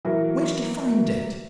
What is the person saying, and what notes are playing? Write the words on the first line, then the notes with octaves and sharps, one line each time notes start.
Where did he find it?
E3 F#3 A#4